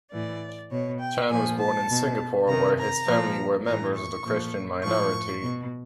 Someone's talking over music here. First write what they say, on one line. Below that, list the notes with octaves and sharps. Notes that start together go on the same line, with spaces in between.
Chan was born in Singapore, where his family were members of the Christian minority.
A2 E3 D5
B2 C#5
G5
A#2 F3 G#5
A5
B2
C3 D#3 A#5
A#5
A#2 F3
A2 E3 A#5
C#6
A#2 F3
A2 F3 C#6
B2